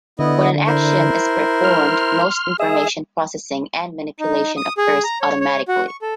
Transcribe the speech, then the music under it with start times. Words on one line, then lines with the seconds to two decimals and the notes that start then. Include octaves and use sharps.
When an action is performed, most information processing and manipulation occurs automatically.
0.19 D3 B3 E4 D#5
0.67 E4 A#4 C5
1.64 C6 F6
2.60 G#4 D#5 E5
4.20 D#4
4.57 D#6
4.78 G#4
5.04 A#5
5.21 C#5
5.41 C#5
5.68 F#4
5.88 C#6
6.02 A4